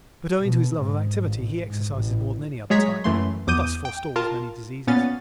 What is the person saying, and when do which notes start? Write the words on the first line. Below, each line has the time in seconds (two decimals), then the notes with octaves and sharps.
But owing to his love of activity he exercises more than any other type and thus forestalls many diseases.
0.40 B2
0.77 G#2
1.27 A1
1.61 G#2
1.92 A1
2.70 F#3 G#3 G#4 C#5 A#5 B6
3.04 F#2 E3 A3 C6
3.47 E2 D6 D#6 G6 D#7
3.85 G5
4.16 F4 A#4 A5
4.87 A#2 B3 C#4 F5 A6